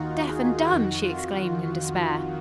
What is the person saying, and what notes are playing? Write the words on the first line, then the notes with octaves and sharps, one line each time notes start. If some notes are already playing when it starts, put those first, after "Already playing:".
"Deaf and dumb!" she exclaimed in despair.
Already playing: D#2 D#3 D#4 F4 F#4
G#4
F2 D#3 F#4
F4